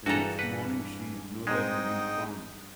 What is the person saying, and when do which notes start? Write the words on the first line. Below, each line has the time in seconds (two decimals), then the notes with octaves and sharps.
The next morning she is nowhere to be found.
0.06 G2 E3 D4 F#4 G#4 A4 A#5
0.39 B4 F#5
1.47 G#2 G#3 C4 D#4 G5 D#6